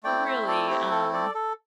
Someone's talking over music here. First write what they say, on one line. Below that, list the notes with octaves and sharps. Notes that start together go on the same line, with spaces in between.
really, um,
A3 C4 E4 D5 G5
C5 E5
A4 D5
G4
A4
A4 D5
A4